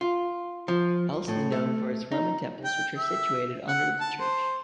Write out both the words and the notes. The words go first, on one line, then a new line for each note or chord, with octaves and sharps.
Elst is known for its Roman temples, which are situated under the church.
F4
F3
A2
A3
D#4
G5
E5
F#5
A5
C5